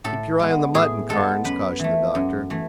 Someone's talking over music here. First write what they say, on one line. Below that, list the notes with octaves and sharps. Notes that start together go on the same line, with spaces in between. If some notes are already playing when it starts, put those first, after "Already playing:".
"Keep your eye on the mutton, Carnes," cautioned the doctor.
A2 A4
G#3 B3
A2 G#4
G#3 B3 A4
F#2 B4
E3 A3
F#2
E3 A3